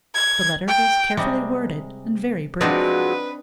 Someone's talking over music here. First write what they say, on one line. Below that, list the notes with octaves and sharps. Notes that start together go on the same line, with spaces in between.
The letter was carefully worded, and very brief.
G#6
G5
C3 G3 G#3
F3 F#3 G#3 C4 D4 D#4 B4